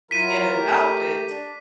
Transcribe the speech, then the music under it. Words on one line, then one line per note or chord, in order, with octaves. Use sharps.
in an outfit
F#3 E4 F4 A#4 B6 D#7
A3 G4
D4